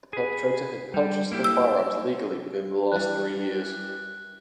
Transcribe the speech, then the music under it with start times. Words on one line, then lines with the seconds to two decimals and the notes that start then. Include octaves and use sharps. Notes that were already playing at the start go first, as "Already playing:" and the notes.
The perpetrator had purchased the firearms legally within the last three years.
0.13 G#4 B4
0.94 G3
1.32 A#3 E4 G4
1.44 E6
2.92 E3 G3 F#6